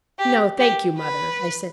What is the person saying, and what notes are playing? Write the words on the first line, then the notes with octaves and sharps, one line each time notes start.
"No, thank you, mother," I said.
G4
G4
B4